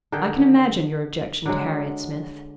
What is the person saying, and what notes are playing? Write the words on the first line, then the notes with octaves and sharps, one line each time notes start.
I can imagine your objection to Harriet Smith.
D3 D#3 G#4 G5
D3 F#3 G#3